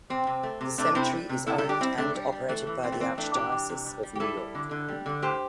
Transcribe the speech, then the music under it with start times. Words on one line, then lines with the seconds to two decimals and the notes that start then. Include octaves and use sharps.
The cemetery is owned and operated by the Archdiocese of New York.
0.10 C3 C4
0.27 C3
0.43 A3
0.61 C3
0.78 C3 A3 D4
0.95 C3 C4 E4
1.12 G3
1.29 C3
1.47 C3 E4 A4
1.58 E4 A4
1.63 G3
1.69 D4 G4
1.80 G3 C4 E4
1.98 C3 A3 D4
2.15 G3
2.32 G3
2.49 E3 A3
2.67 E3
2.83 G3 C4
2.92 A3
3.00 E3 C4
3.17 E3 A3 D4
3.34 C3 D4 G4
3.52 E3
3.69 C3
3.87 G3
4.03 G3
4.15 G4
4.20 G3 E4 A4
4.37 G3
4.55 D3
4.71 D3
4.88 G3
5.06 D3
5.22 A2 G4 C5